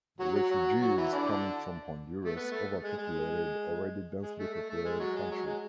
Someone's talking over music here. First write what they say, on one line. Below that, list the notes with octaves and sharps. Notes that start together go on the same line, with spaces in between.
The refugees coming from Honduras overpopulated the already densely populated country.
F#3 F#4
F#3 F#4
F#3 F#4
F#3 F#4
E3 E4
D3 D4
A3
B3
A3
G#3
G#3
G#3
A3
A3
A3
G#3
F#3
G#3
F#3
G#3